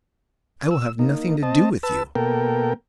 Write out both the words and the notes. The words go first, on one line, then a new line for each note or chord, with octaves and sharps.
I will have nothing to do with you.
E6
A#3 D#4
C4 D#5 A5
B4 A5 E6
B2 A#3 A4 A#4 G5